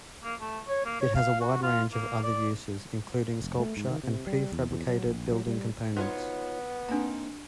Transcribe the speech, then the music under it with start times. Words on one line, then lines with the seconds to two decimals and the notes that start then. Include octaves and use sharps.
It has a wide range of other uses including sculpture and prefabricated building components.
0.24 A#3
0.41 A3
0.68 C#5
0.85 A#3
1.01 C#5
1.15 F5
1.40 F#4
1.63 F4
1.93 A#3
2.23 D5
3.42 F1
3.59 A3
3.77 G#2
3.90 D#3
4.04 C3
4.27 G3
4.52 E2
4.71 E2
4.88 F#3
5.06 A#1
5.32 F#3
5.47 G3
5.97 B3 D#4 F4 F#4 C5 C#5
6.89 A#3 C4 D4 D#4 A#5